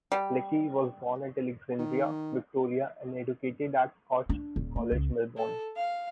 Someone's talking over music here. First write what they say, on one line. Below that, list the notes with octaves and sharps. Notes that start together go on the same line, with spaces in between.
Leckie was born at Alexandra, Victoria and educated at Scotch College, Melbourne.
G3
D#3
D4
D#1
A#3
C#2
A4
F5